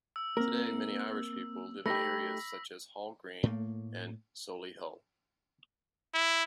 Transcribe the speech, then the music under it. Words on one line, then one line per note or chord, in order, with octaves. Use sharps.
Today many Irish people live in areas such as Hall Green and Solihull.
E6
A#3 C4 A#4
A3 D#4 G4 B5 E6 A#6 B6
A2 A3 A#3
E4